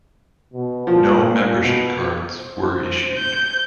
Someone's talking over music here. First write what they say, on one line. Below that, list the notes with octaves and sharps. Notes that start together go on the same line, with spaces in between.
No membership cards were issued.
B2
A#2 F3
B2
C5
G6